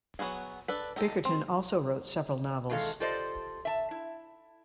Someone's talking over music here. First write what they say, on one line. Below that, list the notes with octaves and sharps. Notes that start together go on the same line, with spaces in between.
Bickerton also wrote several novels.
F#3 G3 B3 F#4 G#4
D4 A4 B4
D#4 G4 A4
C4
E2 D#3 G#3 A4 F5
F4 G4 A4 C5 D5 D#5
E5 A5
E4